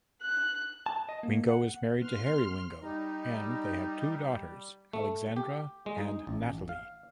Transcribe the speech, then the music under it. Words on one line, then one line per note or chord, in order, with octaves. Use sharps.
Wingo is married to Harry Wingo and they have two daughters Alexandra and Natalie.
F#6
A5
D#5
A#3
F#5
B3 C6 F6
G3 D#4
A3
G4
G#3
D#4
A1
F5